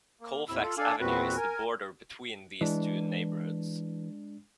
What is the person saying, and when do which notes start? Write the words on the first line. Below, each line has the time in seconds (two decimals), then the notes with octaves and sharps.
Colfax Avenue is the border between these two neighborhoods.
0.21 A#3
0.49 D#2 A2 C3 E4 E6
0.63 F4 A4
0.78 D4 A4 D5 F5 G#5
1.00 E2 A#2 C4 F#4 B4
1.36 A#4 G#5
2.61 E3 G#3 D4